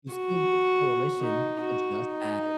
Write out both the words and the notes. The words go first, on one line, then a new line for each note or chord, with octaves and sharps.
you see this coalition adjust as
F#4
D#4
F#4
D#4